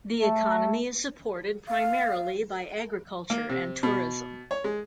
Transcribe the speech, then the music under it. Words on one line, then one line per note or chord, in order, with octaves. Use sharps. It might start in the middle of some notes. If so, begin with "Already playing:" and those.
The economy is supported primarily by agriculture and tourism.
A3
F5
A#3
C3
B2
C#5
G#3